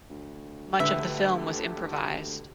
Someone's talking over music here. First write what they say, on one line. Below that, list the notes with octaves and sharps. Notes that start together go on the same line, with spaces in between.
Much of the film was improvised.
D2
C#2 D3 A3 G4 B4 E5